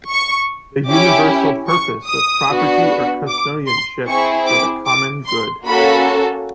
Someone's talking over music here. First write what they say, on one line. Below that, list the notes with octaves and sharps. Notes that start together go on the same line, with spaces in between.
The Universal Purpose of Property or Custodianship for the Common Good.
C#6
C#4 E4 G4 D6
C#6
D#6
B3 D4 F#4
D6
C6
C4 E4 G#4 C#6
D6
D6
C6
A#3 C#4 F#4 A4 B5